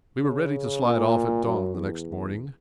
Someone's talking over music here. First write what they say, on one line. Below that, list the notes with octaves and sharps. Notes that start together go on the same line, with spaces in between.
We were ready to slide off at dawn the next morning.
C#3
A#2
F#2
E2